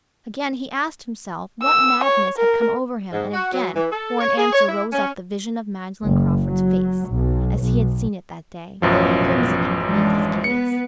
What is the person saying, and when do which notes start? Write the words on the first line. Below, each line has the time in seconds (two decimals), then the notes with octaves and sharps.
Again he asked himself what madness had come over him, and again for an answer rose up the vision of Magdalen Crawford's face as he had seen it that day, crimsoning beneath his gaze.
1.62 E6
2.04 C#5
2.38 A#4
3.12 G#2
3.33 F#4
3.53 F#3
3.75 E3
3.91 A4
4.19 C#5
4.38 G#4
4.53 C#5
4.68 E4
4.93 C#4
6.02 F#1
6.44 F#3
7.08 B1
7.61 B1
8.82 A1 F#2 B2 F3 C#5
9.16 B2
9.84 E3 G#3 D4
10.44 B3 B4 C#7